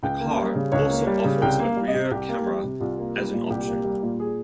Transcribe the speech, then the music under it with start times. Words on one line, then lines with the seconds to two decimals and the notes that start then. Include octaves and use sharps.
The car also offers a rear camera as an option.
0.03 C#2 G5
0.21 A#3
0.38 G3
0.55 C#3
0.72 C#2 C#5
0.90 A#3
1.07 G3
1.24 C#3
1.42 C2 G5
1.60 A#3
1.65 F5
1.77 G3
1.88 D#5
1.94 C3
2.11 C2 G4
2.29 A#3
2.47 G3
2.64 C3
2.80 C2 F4
2.99 A#3
3.16 G3
3.33 A#2
3.50 C2 G4
3.67 A#3
3.85 G3
4.03 A#2
4.20 G#4